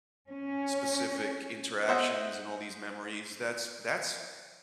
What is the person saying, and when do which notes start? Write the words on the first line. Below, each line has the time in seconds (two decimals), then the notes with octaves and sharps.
specific interactions and all these memories. That's that's
0.29 C#4
1.88 C5 D#5 E5 F#5